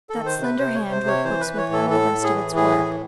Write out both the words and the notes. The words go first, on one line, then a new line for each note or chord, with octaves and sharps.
That slender hand wrote books with all the rest of its work.
A4
D#3
C5
C3 B4
C3 C5
C#5
C3
C5
C3
C#5
E3 C5
B4
E3
C#5
A2
A4
A2 A4
A2
G#4
E3
A2 G#4
E3